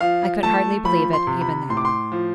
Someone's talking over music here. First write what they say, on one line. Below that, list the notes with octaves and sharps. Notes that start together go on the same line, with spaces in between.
I could hardly believe it, even then!
F3 F5
A3 A5
F3 B5
C6
C3
B5
A2 C6
D6
C6
F3